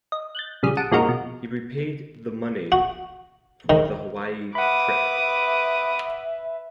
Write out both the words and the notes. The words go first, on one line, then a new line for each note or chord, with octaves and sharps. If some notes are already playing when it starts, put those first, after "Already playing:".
He repaid the money for the Hawaii trip.
D#5
F#6 G6 A6
A#1 C#3 G3 G#4
F#5 A5 D#6 D7
F2 A#2 G#3 D#4 F#4 A#4
B2
F#4
D#3
B4 E5 F#5 B5 D6 D#6